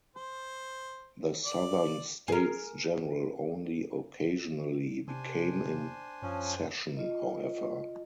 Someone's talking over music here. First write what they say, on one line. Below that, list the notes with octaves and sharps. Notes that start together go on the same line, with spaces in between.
The southern States General only occasionally came in session, however.
C5
D5
G#4 A#4
C3 D4 C5 G#5
F#2 F3 C#4
F4 D#5